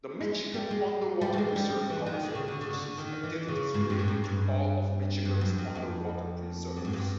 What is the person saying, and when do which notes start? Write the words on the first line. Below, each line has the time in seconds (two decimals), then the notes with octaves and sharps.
The Michigan Underwater Preserve Council oversees activities relating to all of Michigan's Underwater Preserves.
0.21 G#3
0.54 G3
0.71 G#3
1.21 G3
1.33 A3
1.38 G#3
1.56 G3
1.89 E3
2.06 D#3
2.23 D3
2.35 C#3
2.48 D3
2.61 C#3
2.73 D3
2.98 D#3
3.23 E3
3.48 C#3
3.74 G#2
3.90 G2
3.99 A2
4.08 G#2
4.24 G2
5.25 G2
5.41 F#2
5.58 F2
5.75 F2
6.77 F#2
6.85 G#2
6.93 G2